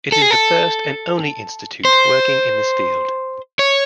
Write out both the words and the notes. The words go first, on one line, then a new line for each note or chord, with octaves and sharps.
It is the first and only institute working in this field.
A4
G#4
A4
C5
C#5